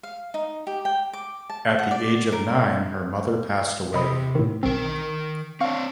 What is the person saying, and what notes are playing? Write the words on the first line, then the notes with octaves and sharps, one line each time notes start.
At the age of nine her mother passed away.
F5
D#4
G4
G5
D6
A5
F#5
D5
A#4
C3 D#5 B5 D#6
A2 D#3
B1 D#3 C4 A#4
C4 D4 F5 C#6